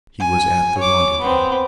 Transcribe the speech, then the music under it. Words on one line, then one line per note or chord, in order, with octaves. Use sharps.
He was at the rendezvous.
G#5
C#5 D6
B3 C4